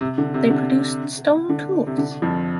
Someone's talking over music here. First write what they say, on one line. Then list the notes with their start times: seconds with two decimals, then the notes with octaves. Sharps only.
They produced stone tools.
0.01 C3
0.18 D3
0.34 C3
0.50 D3
1.49 D3
1.87 C3
1.98 D3
2.22 F2 F3